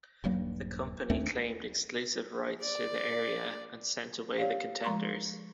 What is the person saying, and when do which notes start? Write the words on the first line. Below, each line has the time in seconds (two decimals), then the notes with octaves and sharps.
The company claimed exclusive rights to the area and sent away the contenders.
0.24 D#1 G2 F#3 A#3
1.10 D#2 A3 C4 D4
2.62 D5
4.38 G4 C#5 D5 F5
4.84 F3 G#3 A#5 C6 C#6